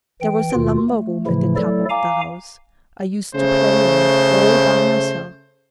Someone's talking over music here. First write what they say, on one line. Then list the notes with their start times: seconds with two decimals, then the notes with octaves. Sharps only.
There was a lumber-room at the top of the house; I used to play in it, all by myself.
0.21 E3 G5
0.54 D#2 B2 D#3 F4
0.89 A3
1.27 A2 C#3 E3 F3 A3 E4
1.56 F#3 A3 E4 A4 D5
1.90 F5 G#5 A#5 D6
3.35 C#3 A3 C5